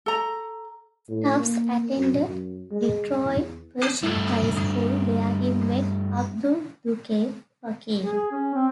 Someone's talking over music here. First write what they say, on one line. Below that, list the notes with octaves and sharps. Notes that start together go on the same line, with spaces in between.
Stubbs attended Detroit Pershing High School, where he met Abdul "Duke" Fakir.
A4 A#5
A2
A#3
F#2
F#2
G#3
E2
G2 A3
G#4
C#4
C4